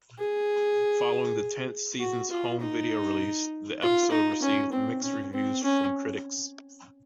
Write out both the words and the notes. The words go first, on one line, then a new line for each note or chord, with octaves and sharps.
Following the tenth season's home video release, the episode received mixed reviews from critics.
G#4
F#4
F4
D#4
F4
D#4
C#4
C4
C#4
C4
C#4